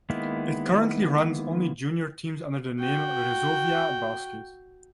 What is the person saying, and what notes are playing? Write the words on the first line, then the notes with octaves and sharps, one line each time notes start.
It currently runs only junior teams under the name Resovia Basket.
D#3 G#3 A#3 B3 E4
F#4 G5